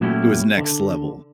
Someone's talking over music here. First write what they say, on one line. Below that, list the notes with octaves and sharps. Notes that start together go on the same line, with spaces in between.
it was next level,
A#2 F#3 A3 C#4 E4 G4
D3